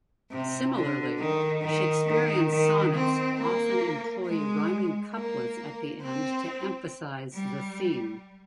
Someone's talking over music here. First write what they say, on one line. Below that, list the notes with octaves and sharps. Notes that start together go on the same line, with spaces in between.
Similarly, Shakespearean sonnets often employ rhyming couplets at the end to emphasize the theme.
C3
D3
D#3
D#3
D#3
D#3
C4
A#3
G#3
A#3
C4
G3